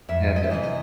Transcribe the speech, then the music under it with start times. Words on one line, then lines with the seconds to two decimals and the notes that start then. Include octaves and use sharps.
and, uh
0.09 F2 E5
0.36 D#5
0.44 E5
0.50 C3 E3 D#5
0.64 D#5